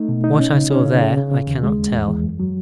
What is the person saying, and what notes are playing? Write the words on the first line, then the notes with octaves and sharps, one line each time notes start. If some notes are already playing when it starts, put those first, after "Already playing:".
What I saw there, I cannot tell.
Already playing: A3 D#4
B2
D#4
C#4
C#3
C#4
C#3
C#3
C#3
C#3
D#2
G#3
E2
E2
E2
F#2
F#3